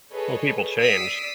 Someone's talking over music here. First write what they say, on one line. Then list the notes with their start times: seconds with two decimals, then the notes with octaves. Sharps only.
Well, people change.
0.11 G#4 A4 B4 C#5 D#5
0.80 D5 D#6 E6 B6 C7 D7